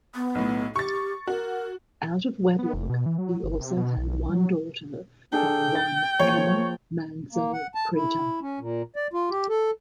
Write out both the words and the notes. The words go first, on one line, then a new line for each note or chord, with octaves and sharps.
Out of wedlock, he also had one daughter by one Ema Manso Preto.
B3
B1 A2
G4 C#6 A6
F#4 A#4
B3
F1
B2
E3
F#3
G1
C3
B2
B1
F#3
D4 G#4 A4 G5
A6
F3 A#3 G#4 C#5
A#3
F#5
A5
E4
C#4
A#2
D5
F4
G4
A4